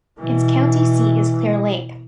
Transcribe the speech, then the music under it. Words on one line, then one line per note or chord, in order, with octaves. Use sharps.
Its county seat is Clear Lake.
B2 E3